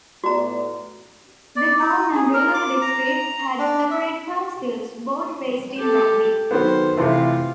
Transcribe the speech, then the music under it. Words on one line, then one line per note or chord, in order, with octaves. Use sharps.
The town and rural district had separate councils, both based in Rugby.
A2 B3 F#4 D5 A#5
D5
D#4
G#4
A#4
D6
A#5
D4
E5
G4 A4
D#3 F#3 B3 C5
C3 E3 A3 F4